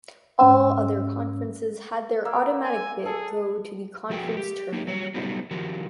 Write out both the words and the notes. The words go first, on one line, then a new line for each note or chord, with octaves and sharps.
All other conferences had their automatic bid go to the conference tournament winner.
G#2 C#4 E6
A#3 E5
G#5
G#4 A4
F3 F#4 G#4 A#4 G5
G4
A#3 D#4 F#4 G4
F#3 G3 C#5
F#3 G3 A3 B3 D#4 G4
D#3 F3 F#4 G4 A#4